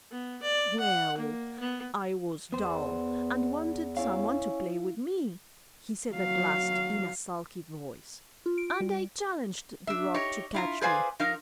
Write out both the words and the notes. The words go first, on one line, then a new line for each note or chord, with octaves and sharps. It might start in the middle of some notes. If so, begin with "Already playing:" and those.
'Well, I was dull, and wanted someone to play with me,' he said at last, in sulky voice, 'and I challenged the rock to catch me.
B3
D5
F#5
A#3
B3
E2 B3 C5
C#4 E4 F5
F#3 F5
F4
D7
G3
D4 E5
D#4 G4 C#5
E4 F4 A#5
G#4 B4 C5 D5 F5 G#5
F3 D#4 A#4 F5